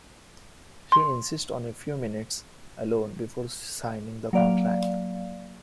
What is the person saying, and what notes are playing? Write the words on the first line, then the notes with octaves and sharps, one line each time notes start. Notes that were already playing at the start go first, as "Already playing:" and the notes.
She insists on a few minutes alone before signing the contract.
C6
F#3 A#3 D5 F5